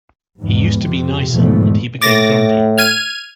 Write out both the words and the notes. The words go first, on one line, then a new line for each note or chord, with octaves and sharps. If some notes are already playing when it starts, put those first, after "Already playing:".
He used to be nicer and he became grumpy.
E2 G#2
F2 C3
E2 G#2 B2 D3 F3 A3
A2 D6 A6 A#6
F6 G#6 D#7